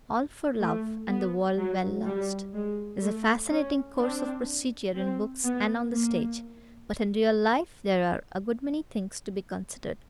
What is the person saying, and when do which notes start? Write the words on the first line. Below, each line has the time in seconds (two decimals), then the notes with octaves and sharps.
"All for love, and the world well lost," is a fascinating course of procedure in books and on the stage, but in real life there are a good many things to be considered.
0.60 A3
1.09 B3
1.57 F#3
2.05 G3
2.54 G#3
3.02 A3
3.51 C#4
3.98 C4 D4
4.95 C4
5.44 B3
5.91 A#3